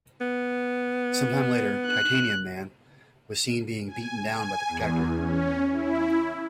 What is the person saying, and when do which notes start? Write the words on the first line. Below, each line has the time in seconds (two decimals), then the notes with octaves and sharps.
Some time later Titanium Man was seen being beaten down by the Protector.
0.21 B3
1.86 F#6
3.87 G#5
4.27 G#5
4.69 E2
5.16 C#4
5.70 E4